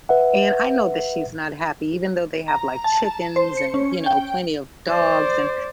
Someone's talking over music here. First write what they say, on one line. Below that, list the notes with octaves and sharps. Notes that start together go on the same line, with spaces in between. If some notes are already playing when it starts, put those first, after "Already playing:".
and I know that she's not happy even though they have, like, chickens, and, you know, plenty of dogs, and
B4 E5 F#5
A#5
A5
C5
C#7
C#4
G5
C5 D5